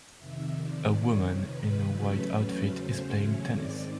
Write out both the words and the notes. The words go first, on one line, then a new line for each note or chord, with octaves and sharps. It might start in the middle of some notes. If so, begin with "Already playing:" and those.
A woman in a white outfit is playing tennis.
F2 C3 D#3 E5
D5
C#5
B4
E2 C#3 F#3 A3 C#4 B4
B4
C5
C#5
G#2 D#3 G#3 C4 D5